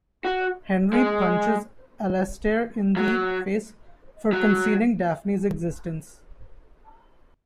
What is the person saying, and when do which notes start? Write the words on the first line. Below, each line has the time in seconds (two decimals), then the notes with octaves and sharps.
Henry punches Alastair in the face for concealing Daphne's existence.
0.25 F#4
0.93 G#3
2.97 F#3
4.33 F#3